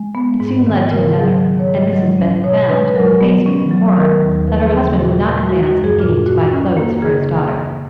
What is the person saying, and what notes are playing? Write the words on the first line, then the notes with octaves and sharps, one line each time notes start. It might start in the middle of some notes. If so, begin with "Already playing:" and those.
It soon led to another; and Mrs. Bennet found, with amazement and horror, that her husband would not advance a guinea to buy clothes for his daughter.
Already playing: G#3
B3
G#2
D#3
C#3 A#4
F#3 G#4
D#3
C#5
G#2
D#5
F#3 D#5
C#4
B2 C#5
G#3 B4
F#3 A#4
B3
C#4
F#3
D#3 A#4
D#2
F3 B4
G#4
C#3
G#4
A#2 F#4
A#2
G#3 F#4
F#4
F#2
G#4
A#2 F4
A#2 F#4
C#4
A#3
C#3 G#4